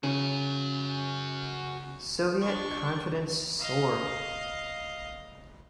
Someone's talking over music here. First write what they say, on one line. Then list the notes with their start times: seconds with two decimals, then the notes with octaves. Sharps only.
Soviet confidence soared.
0.04 C#3 F#4 G#5
2.41 D4 C#6
3.59 D#5 F5